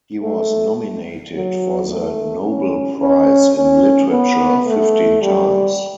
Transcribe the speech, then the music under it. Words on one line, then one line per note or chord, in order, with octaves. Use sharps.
He was nominated for the Nobel prize in literature fifteen times.
A3
F#3
A3
C#4
C#4
C#4
B3
A3
G3